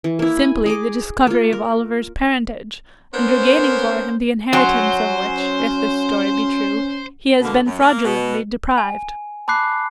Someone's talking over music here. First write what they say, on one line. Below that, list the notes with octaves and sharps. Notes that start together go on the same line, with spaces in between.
'Simply, the discovery of Oliver's parentage, and regaining for him the inheritance of which, if this story be true, he has been fraudulently deprived.'
E3
A#3 E4
G#5 B5
G#4 D#5 D6
A#3 F4
A#4
B3 C#4 A#4 C5
F#3 C#4 C5 G#5 C6
B2 D3 A#3
F#2
A#3
B2
G#5
A5 B5 D6 F#6 C7